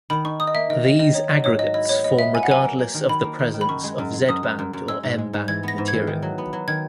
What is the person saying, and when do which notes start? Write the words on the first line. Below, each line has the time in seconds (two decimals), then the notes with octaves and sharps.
These aggregates form regardless of the presence of Z band or M band material.
0.10 D#3 B5
0.25 D#4 C#6
0.40 D#4 D#6
0.47 D#5
0.55 A#3 E5
0.70 D#3 D#5
0.85 D#3 D#5
0.99 D#3 D#5
1.14 D#4 C#5
1.29 F#3 D#5
1.44 G#2 C#5
1.59 F#3 D#5
1.74 E4 D#5
1.89 B3 C#5
2.04 B3 D#5
2.19 B3 E5
2.34 B3 G#5
2.43 F#5
2.49 F#3 G#5
2.64 A#3
2.79 A#3
2.94 D#3
3.09 D#3 B5
3.24 A#3
3.39 D#3
3.54 D#3
3.61 B5
3.69 F#2 C#6
3.84 G#3
3.98 F#2
4.14 G#3
4.28 F#2 D#6
4.43 F#2
4.59 F#2
4.73 F#2
4.88 G#3 E6
5.03 G#2
5.18 G#3
5.33 G#2
5.48 E3 G#6
5.63 B3 A#6
5.78 G#2
5.88 G#6
5.93 E3
6.07 D#3
6.22 F#3
6.38 B3
6.53 F#3
6.68 D#3 G#6